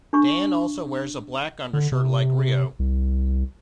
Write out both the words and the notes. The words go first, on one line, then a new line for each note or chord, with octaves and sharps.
Dan also wears a black undershirt like Ryo.
D4 C#6
D3
C3
C2